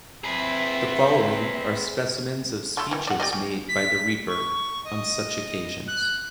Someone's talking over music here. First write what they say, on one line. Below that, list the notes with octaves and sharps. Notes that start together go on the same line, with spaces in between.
The following are specimens of speeches made by the reaper on such occasions.
C4 G#4 B4 E5
A3 E4 F4
D#3 E3
D5 F#5
G4 D5 D#5
C#3
B6
C#6
D#5
F#6